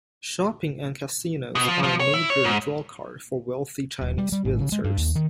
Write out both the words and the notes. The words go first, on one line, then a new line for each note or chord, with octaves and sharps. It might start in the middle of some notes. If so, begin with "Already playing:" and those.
Shopping and casinos are a major drawcard for wealthy Chinese visitors.
B2
F3
F3
C#5
E4
C#5
G#2
D#1
G3
G3
G#1
C#3
G#3
G2
D#2
D#3